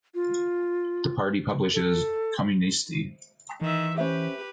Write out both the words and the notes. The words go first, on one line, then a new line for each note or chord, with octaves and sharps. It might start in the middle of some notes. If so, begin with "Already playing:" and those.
The party publishes "Komunisti".
F4
A4
D#3 E3 E5
C#4 G4 B4 C5 E5